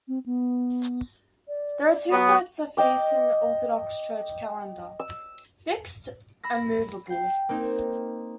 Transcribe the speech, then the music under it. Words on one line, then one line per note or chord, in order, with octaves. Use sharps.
There are two types of feasts in the Orthodox Church calendar: fixed and movable.
C4
B3
D5
F#3 B3
D#5 G5 D6
E6
B5 E6 A#6
G5 C7
A#3 C4 D#4